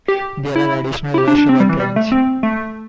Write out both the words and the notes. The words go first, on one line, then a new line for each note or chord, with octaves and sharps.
There are additional rush-hour trains.
G4
E4
E4
G4
D4
D4
C4
G3
E3
G3
A3
C4
A3